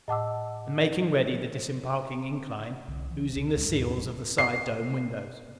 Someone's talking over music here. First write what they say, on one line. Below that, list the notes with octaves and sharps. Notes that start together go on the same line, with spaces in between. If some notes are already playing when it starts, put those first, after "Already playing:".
And making ready the disembarking incline, loosening the seals of the side dome windows.
A2 D#5 F#5 A5 D6 E6
C2 D3
E3
C#2 C3
D2 A#2 G#3 D4
D#2 G#2
D1 G#2 F#3
C7